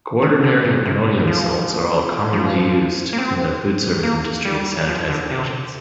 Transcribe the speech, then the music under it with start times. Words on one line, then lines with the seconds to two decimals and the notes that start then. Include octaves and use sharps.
Quaternary ammonium salts are commonly used in the foodservice industry as sanitizing agents.
0.22 D#3
0.44 D3
0.64 A#2
0.86 C3
1.27 F3
2.33 F3
3.13 A#3
3.18 C4
4.03 A#3
4.45 G3
4.89 F3
5.10 D3
5.30 C3